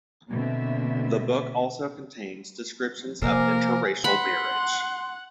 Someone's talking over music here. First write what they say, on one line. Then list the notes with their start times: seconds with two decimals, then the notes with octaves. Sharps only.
The book also contains descriptions of interracial marriage.
0.29 B2 D3 A#3 C4 E5
3.22 C3 F3 A#3 A#4 C5 G#5 D6
4.04 F#5 B5 C6